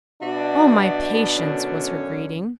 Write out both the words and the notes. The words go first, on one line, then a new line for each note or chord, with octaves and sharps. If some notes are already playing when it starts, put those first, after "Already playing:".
"O, my patience!" was her greeting.
B2 D4 F#4 D5 E5
F#2 D3 C#4